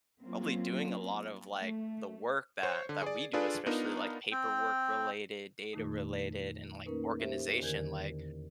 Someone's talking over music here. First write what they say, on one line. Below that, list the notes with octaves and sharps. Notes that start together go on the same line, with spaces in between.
probably doing a lot of, like, the work that that we do, especially, like, paperwork-related, data-related, and, like, organization, like
F#3 A#3 C4 C#4 F4
A3
C5 C#5
D3
G#4 D5
D4 F4 G#4 A4 B4 D5
B3 D4 D#4 F4 A#4
C4 G5
F2 A#2 D#3 A3 D#4
A#3 C#4 D#4 A#4 B4
G4 C5 E5
E2 D3 D#3 A#4 G6 G#6